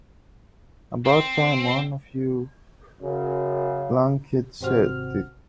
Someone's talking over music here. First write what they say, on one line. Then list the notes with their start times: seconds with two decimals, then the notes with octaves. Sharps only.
About time one of you lunkheads said it.
1.06 C4
3.01 F#2 C#3
4.61 G#1 C3 C4 F#4 F6